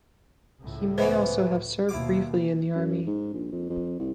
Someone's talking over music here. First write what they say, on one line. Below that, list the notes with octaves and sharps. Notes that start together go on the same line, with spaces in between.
He may also have served briefly in the army.
C#2 A2
E3 B3 C#4 C5
D#2 B2 E4 F4 D6
F#2
G#2
A#1
F2
F2
C2